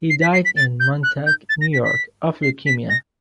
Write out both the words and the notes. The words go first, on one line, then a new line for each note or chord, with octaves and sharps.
He died in Montauk, New York of leukemia.
C7
B6
C7
B6
A6
G6
F#6
G6
A6
A#6
B6
B6
C7
B6
A#6